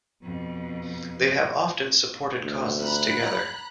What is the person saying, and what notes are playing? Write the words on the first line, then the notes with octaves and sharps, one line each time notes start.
They have often supported causes together.
F2 B2
D2
A#5 B5 F#6